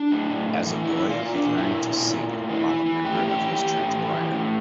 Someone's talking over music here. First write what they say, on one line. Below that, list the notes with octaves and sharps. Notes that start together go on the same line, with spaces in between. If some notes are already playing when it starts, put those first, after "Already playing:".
As a boy, he learned to sing while a member of his church choir.
Already playing: D4
A2
A2
A2
E3
A#2 E4
A#2
F4
A#2
D4
A#2
A#2 E4
A#2
A#2
A#2
A2
E3
E3
E3
A2 G4
A2
G4
E3
G4
E3
A2
E3
E3
A2